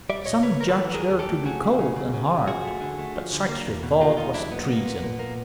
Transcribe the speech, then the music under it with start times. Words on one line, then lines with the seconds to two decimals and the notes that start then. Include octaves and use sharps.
Some judged her to be cold and hard; but such a thought was treason.
0.10 G3 D5 E5
0.26 A#2 C#5 D#5
0.43 C#3 B4 C#5
0.60 D#2 A#4
0.69 A4 B4
0.77 E3
0.94 D#2 G#4 A#4
1.11 D#2
1.19 G4 A4
1.29 A3
1.45 A3 F#4 G#4
1.63 C#3
1.79 C#3
1.96 C#3
2.14 C#3
2.31 C#3
2.47 F3 F#4 G#4
2.65 A3
2.81 D3
2.98 A3
3.16 F3
3.33 D3
3.49 A#3
3.67 E2
3.83 B2
4.01 A#3 F4 G4
4.17 E2 D#4 F4
4.34 F#3 D4 E4
4.51 A#2 B3
4.68 A#3
4.85 A#2
5.03 A#2
5.19 A#3